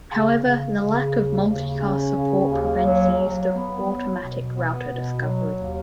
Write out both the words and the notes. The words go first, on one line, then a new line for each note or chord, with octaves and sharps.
However, the lack of multicast support prevents the use of automatic Router Discovery.
C#3
C#3
C#3
D#2
C#3
C#4
C#3
D#2
F#3
F#3
B3
F#3
B2
B3
B2
F#3
D#2